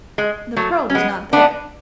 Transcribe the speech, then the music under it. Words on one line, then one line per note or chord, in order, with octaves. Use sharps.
The pearl was not there.
G#3
F#3 A3
C#4
G#3 B3
B3 D4